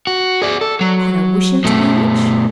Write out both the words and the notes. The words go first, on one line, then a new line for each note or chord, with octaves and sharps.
Could I wish him to be rich?
F#4
G#4 D5
A4
F#3
B2 A3